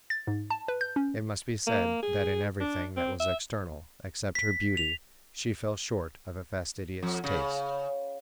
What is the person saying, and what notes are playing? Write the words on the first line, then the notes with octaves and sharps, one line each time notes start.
It must be said that in everything that was external, except her beauty, she fell short of a fastidious taste.
A6
G#2
A5
B4
G6
C#4
A#3
G#4
D4
C4
E5
B6
F7
F2
C#3